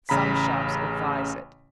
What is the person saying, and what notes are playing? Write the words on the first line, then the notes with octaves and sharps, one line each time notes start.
Some shops advise it.
A1 C#3 A#5 B5 B6